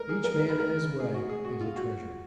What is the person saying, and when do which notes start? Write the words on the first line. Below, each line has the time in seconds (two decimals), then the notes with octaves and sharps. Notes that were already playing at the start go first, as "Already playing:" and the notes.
Each man in his way is a treasure.
Already playing: A#4
0.09 G#4
0.24 A#4
0.40 A#4
0.49 B4
0.60 A#4
1.00 G#4
1.14 F#4
1.29 G#4
1.45 F#4
1.61 F4
1.76 F#4